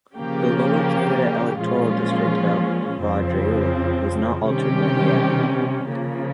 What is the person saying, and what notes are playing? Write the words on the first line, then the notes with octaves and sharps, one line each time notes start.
The Lower Canada electoral district of Vaudreuil was not altered by the Act.
C#3 F3 A#3 C#4 G4
A#2 F3 G#3 C#4 F4
F2 C#3 F3 C4
C3 D#3 G3 C#4 G4
C#3 F3 A#3